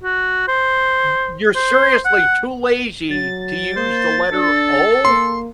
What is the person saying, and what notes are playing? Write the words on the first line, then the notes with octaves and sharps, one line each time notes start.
"Y you're seriously too lazy to use the letter O?
F#4
C5
C5
F#5
F#3 A6
A#3 C5
D4 A4
A#3 C6